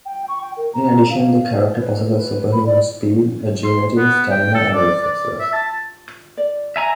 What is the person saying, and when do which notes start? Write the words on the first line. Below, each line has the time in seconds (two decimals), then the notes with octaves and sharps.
In addition the character possesses superhuman speed, agility, stamina, and reflexes.
0.05 G5
0.28 C#6
0.41 G5
0.56 A#4
0.73 A#5
1.10 F5
1.74 B4
2.13 B4
2.52 B5
2.65 D5
3.64 C6
3.97 B3
4.31 G5
4.55 A4
4.74 D5
5.02 D5
5.40 E5
5.53 A5
6.37 D5
6.76 E5 G#5 A#5